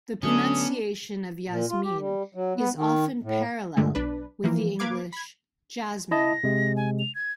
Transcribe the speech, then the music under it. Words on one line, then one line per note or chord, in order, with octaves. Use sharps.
The pronunciation of "Yasmin" is often parallel with the English "Jasmine".
D3 F#3 A3 B3 C#4 D4 D#6
A#2
F4
G4
G3
F#3
B3
D#3
A2
G2 A#2 D3 G#3 A3
B1 D4 B4
E3 F3 A#3
A#3 B4 F5 D6 G#6
B5 G#6
E4 D#5 A5 A#6
C3 G#3
G#5
F7
G#6